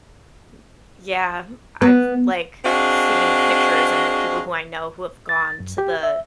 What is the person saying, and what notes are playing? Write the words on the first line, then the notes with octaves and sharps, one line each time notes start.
M Yeah. Hmm I've, like, seen pictures and, like, people who I know who have gone to the,
B3
C4 D4 F#4 G#4 D#5 F5
A6
F#2
G4
E5